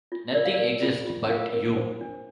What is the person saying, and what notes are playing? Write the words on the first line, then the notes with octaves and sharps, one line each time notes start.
Nothing exists but you.
F4
A#4 D5
F5
D5
A#4
F4
F4
A#4 F5
A#4
C5
D4